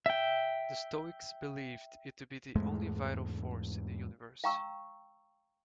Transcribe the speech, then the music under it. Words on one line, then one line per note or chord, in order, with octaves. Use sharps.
The Stoics believed it to be the only vital force in the universe.
E5 G5
E2 G#2 G#3 A3
F5 G5 A#5 C#6 E6